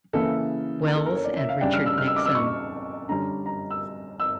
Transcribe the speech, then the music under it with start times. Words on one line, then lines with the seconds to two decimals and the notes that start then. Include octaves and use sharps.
Wells and Richard Nixon.
0.13 C#3 E3 A#3 E4 A4
0.87 A#4
0.96 A4
1.06 A#4
1.15 C#5
1.24 D5
1.36 E5
1.49 F5
1.61 C#3 G3 D4 G5
1.73 F6
1.86 E6
1.98 F6
2.07 E6
2.16 D6
2.26 E6
2.35 C#6
3.09 D3 G3 C#4 A#5
3.46 A#5
3.70 E6
4.20 E6